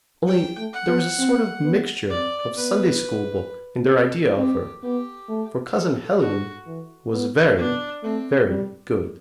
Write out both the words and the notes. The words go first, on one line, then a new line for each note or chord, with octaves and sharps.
Only there was a sort of mixture of Sunday-school book in their idea of her, for Cousin Helen was very, very good.
G3 G5
A3
F#5
B3
C4
B3
C4 D5
B3 B4
C4 A4
C4 G4
B3 G4
A3
F#3 A4
D3 F#4
E3
B3
B3 D4
A3 C4
G3